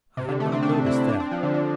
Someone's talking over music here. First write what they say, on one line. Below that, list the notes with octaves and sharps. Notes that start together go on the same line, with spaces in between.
I had not noticed that.
C3
D3
A3
C4
D4
E4
D4
C4
F3
D3
D3